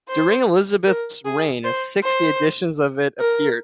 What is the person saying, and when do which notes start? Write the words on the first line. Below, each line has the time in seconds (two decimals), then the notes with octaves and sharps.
During Elizabeth's reign sixty editions of it appeared.
0.08 C5
0.86 A#4
1.25 G#4
1.64 C5
2.03 C5
3.20 A#4